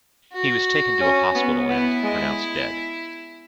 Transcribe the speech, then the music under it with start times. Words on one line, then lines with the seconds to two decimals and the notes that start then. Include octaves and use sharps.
He was taken to a hospital and pronounced dead.
0.33 F#4
1.01 C#4
1.35 B3
1.68 B3 E4
2.03 G#3